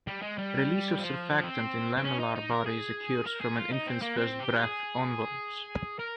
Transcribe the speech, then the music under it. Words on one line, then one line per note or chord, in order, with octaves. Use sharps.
Release of surfactant in lamellar bodies occurs from an infant's first breath onwards.
G3
G#3
G3
F3
C4
C4
C#4
D#4
D#4
A#4
G#4
A#4
G#4
F4
D#4
C4
A#3
C4
G4
G#4
A#4